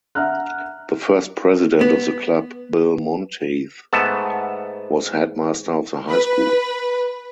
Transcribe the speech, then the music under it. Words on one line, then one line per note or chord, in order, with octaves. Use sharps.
The first President of the club Bill Monteith was headmaster of the High School.
E5 F#5 A#5 F6 F#6
B3
G#2 A3 B3 A5
B4